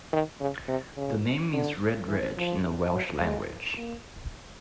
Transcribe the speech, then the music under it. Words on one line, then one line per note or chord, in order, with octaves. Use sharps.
The name means 'red ridge' in the Welsh language.
D#3
C#3
C3
C#3
D3
E3
F3
F#3
G#3
A#3